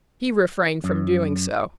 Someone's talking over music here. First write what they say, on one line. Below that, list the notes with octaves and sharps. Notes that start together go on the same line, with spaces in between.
He refrained from doing so.
F#2